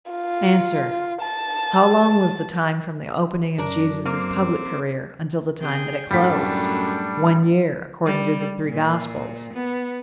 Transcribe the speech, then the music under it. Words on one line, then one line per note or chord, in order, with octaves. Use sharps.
ANSWER: How long was "the time from the opening of Jesus' public career until the time that it closed?"--One year!--according to the three gospels.
F4
A5
F#2 D4 A#4
A#3 C4 D6
C3 G#4 G5
F#2 A2 G3 A3 D4 F#5 B6
G3
A#2
B3